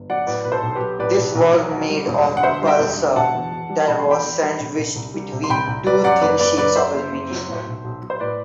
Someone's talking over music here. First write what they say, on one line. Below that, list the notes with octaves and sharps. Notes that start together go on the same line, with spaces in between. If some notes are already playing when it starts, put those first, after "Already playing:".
This was made of balsa that was sandwiched between two thin sheets of aluminum.
Already playing: G1
F#3 D5 F#5
A2 B4 D5
B1 B4
A4 C5
B1
G4 B4
F#3
A2 B4 D5
B1
B1
F#3
D2
G3
E1
D3
F#5
D2 C5 E5
G3
E5 G5
E1
D3
B2 F#5 A5
E2
E2
G3
B2 B5
C6
E2 G5 B5
E2
G3
C3
C2
C2
G3
C3
C6
C2 G5 B5
C2
G3 B4 D5
F#2 D5 F#5
F#1 B4 D5
F#1 B4 D5
F#3 B4 D5
F#2 C5 E5
F#1
F#1
F#3
A2
B1
B1
F#3
C5
A2 B4 D5